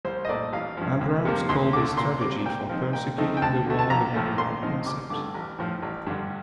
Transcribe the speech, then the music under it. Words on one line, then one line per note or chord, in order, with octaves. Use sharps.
Abrams called his strategy for persecuting the war the one war concept.
C2 C5
D#5
A#2 A3 D5
A1 F5
G2 F3
D2
C3 F3 A#3
D2 C6
D3 A3 D6
A#2 C6
G3 C4 D6
A#2 G5
F3 C4 D#4
A#2 G5
F3 A3 C4 D#4
G5
D2 A5
D3 A3
A5
A#1 A#5
A2 F3 A3
A#2 C6
F3 C4 D#4
A1 D6
G2 D3 A3 D6
A1
A2 F3
A1
G2 D3